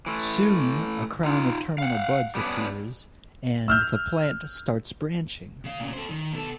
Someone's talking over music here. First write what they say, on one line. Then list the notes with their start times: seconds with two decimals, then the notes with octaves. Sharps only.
Soon a crown of terminal buds appears and the plant starts branching.
0.06 E3 A3
1.24 D#4 F4
1.78 F5 F#5
2.35 G3 B3 C#4 D4
3.68 E6 F6 G6
5.65 C#3 F5
5.79 A#2 C#3
5.93 A4 C5
6.10 D#3
6.33 B2 A4